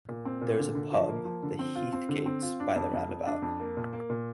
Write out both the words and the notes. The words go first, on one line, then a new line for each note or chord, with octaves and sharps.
There is a pub, "The Heathgates", by the roundabout.
A#2
C4
A#2
D3
D3
F3
A#3
F3
D3
C4
F4
C4
D3
C4
F4
D4
F2
F2
F2
D4
F2
A#3
A#2
A#3
A#2